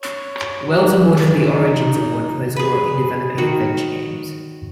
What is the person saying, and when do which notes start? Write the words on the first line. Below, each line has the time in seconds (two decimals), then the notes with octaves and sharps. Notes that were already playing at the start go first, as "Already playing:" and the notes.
Wells award and the Origins award for his work in developing adventure games.
0.02 C#5
0.67 F#3
0.97 D3
1.51 D#4
2.56 G#4 B4
3.38 D#3 F#4